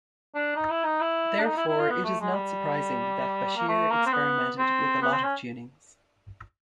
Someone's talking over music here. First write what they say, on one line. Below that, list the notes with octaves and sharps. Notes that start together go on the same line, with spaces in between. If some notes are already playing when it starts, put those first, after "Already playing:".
Therefore it is not surprising, that Bashir experimented with a lot of tunings.
D4
D#4
E4
D#4
E4
D4
D#4
E4
E4
F4
B3
A3
G#3
G3
A#3
A3
A#3
C4
B3
C4
B3
C4
C#4